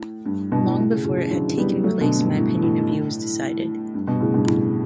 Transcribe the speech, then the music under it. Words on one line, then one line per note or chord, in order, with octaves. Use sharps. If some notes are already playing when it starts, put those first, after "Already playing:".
Long before it had taken place my opinion of you was decided.
Already playing: A2
G2
G2 B2
A2
A2
A2 C#3
A2 C#3
C#3 E3
D3 F#3
G3 B3
F#3 A3
B2 D3
G2
A2
A2
G2
G2 B2
A2 C#3
G2 B2
A2